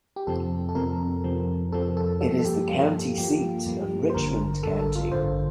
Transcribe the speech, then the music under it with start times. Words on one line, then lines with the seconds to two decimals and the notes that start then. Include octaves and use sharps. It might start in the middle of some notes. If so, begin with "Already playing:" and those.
It is the county seat of Richmond County.
0.16 G4
0.27 F2 C3 F3 C4 A4
0.69 A4
0.75 F2 C3 F3 C4 A#4
1.24 F2 C3 F3 C4
1.72 F2 C3 F3 C4 A4
1.97 A4
2.21 G2 F3 A#3 A4
2.39 A4
2.45 G4
2.69 G2 F3 A#3 F4
3.18 G2 F3 A#3 G4
3.66 G2 F3 A#3
4.10 C5
4.14 A1 G2 D3 A#4
4.63 A1 G2 D3 A4
4.79 A4
4.96 F4
5.12 A1 G2 D3 C5